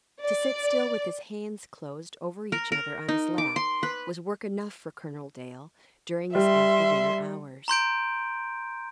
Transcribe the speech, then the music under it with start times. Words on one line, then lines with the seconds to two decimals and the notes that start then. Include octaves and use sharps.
To sit still, with his hands closed over each other on his lap, was work enough for Colonel Dale during his after-dinner hours.
0.22 D5
2.52 A#4
2.72 A#4
3.09 D#4
3.38 D6
3.56 C6
3.83 B4
6.35 G3 E5 C6
7.68 A#5 C6 G6 D7